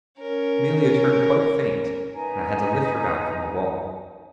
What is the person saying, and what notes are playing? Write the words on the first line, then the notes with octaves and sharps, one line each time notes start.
Amelia turned quite faint, and I had to lift her back from the wall.
C#4 A#4
D#4 B4 G#5 A#5